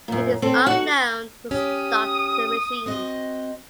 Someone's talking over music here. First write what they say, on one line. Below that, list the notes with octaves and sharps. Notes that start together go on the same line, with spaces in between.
It is unknown who stocked the machine.
F#2 A#2
C4 A4
F#4 F#5
C#4 G4 D#6
C4 F#4 D#5